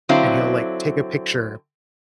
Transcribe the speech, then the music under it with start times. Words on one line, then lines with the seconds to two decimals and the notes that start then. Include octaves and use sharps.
and he'll, like, take a picture,
0.09 D3 F#3 C4 E4 F5